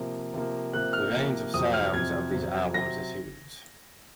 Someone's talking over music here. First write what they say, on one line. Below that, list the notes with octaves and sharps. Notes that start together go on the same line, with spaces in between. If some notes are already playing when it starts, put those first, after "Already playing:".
The range of sounds of these albums is huge.
Already playing: C3 F3 A#3
C3 F3 A#3
C3 F3 A#3 F#6
F6
C3 F3 A#3
F2 C3 F#3 C4 D#6
F6
F2 C3 F#3 C4 G#6
F2 C3 F#3 C4
C3 F#3 C4 A#6